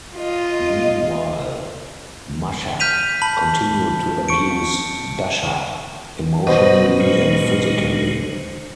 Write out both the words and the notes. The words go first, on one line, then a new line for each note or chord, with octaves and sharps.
Meanwhile, Masha continued to abuse Dasha emotionally and physically.
F4 D#5
F6 G6 B6 D#7 F7
A5 B5 F#7
C#6 C#7 D7
B2 D#3 B3 C5
A#2 F#3 G#3